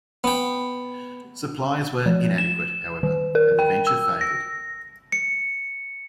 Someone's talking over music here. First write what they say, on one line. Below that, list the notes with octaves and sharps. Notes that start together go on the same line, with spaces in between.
Supplies were inadequate, however, and the venture failed.
B3 G5
F3
E7
D#3
A#4
G5
E6
A#6
C#7